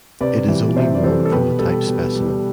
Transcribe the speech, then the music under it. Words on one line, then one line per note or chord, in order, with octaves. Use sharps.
It is only known from the type specimen.
C3 B4 D5
E3 G3
C3 C5 E5
D5
E3 G3 A4 C5
A4
B2 G4 B4
G3 A4
B2
G3